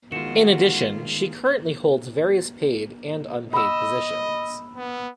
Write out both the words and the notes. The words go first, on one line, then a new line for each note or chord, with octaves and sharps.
In addition, she currently holds various paid and unpaid positions.
D#3 G#3 F4 F#4 C#7 E7
D#5 B5 E6
B3